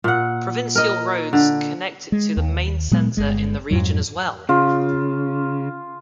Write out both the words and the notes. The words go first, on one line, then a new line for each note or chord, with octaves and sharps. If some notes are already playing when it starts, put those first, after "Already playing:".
Provincial roads connect it to the main centre in the region as well.
A#2 F#5
A#4 D#5
D3
G#3
D#2
A#2 F#3 G#3 B3
G1 G#3
F2 G#2 F#3
C#3 F4